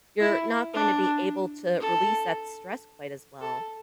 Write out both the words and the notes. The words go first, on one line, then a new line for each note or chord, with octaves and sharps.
you're not going to be able to release that stress quite as well
E4
D4
A4
A4